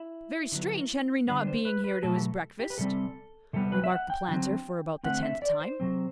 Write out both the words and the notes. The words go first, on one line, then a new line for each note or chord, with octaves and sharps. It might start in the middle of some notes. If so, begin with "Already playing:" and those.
"Very strange Henry not being here to his breakfast!" remarked the planter, for about the tenth time.
Already playing: E4
D3 F#3 B3
D3 G3 B3 D4
C5
B4
B4
B2 F#3 A3 A4
G4
A4
G4
B4
C3 G3 C4 A4
C3 G3 B3 A4
B4
E5
F#5
G5
D3 F#3 C4
D3 A3 C4 F#5
E5
D5
C5
C3 F#3 C4